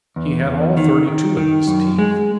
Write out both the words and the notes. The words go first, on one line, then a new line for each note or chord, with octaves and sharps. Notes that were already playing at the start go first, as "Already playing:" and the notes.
He had all thirty-two of his teeth.
E2
E2
D#3
D#3
D#3
F#2
G#3